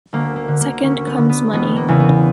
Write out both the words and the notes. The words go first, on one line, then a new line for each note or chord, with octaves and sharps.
Second comes money.
D2 A#3
A#3
D3
A#3
D2 C#4
B3
D3
B3
E1 B3
A#3
E2 C#3 E3
B3